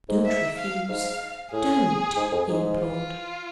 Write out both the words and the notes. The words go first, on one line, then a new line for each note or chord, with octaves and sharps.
"Don't refuse; don't," he implored.
G#2
E5
F5
G#2 F5
A2 G#4
G#2
F2
G#2
F4